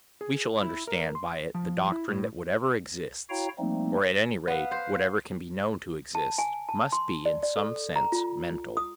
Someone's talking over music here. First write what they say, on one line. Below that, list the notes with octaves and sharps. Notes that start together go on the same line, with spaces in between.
We shall understand by it the doctrine that whatever exists, or at any rate whatever can be known to exist, must be in some sense mental.
G#4
E4
A#4
C6
F3
E4
A2
E4 F#4 C#5 F5 G5 A#5
F3 G3 A3 A#3 C4 D#4
B3 B4 F5
C5
A5
G#5
A5
C6
D5
D5
A4
A#5
F4
D#6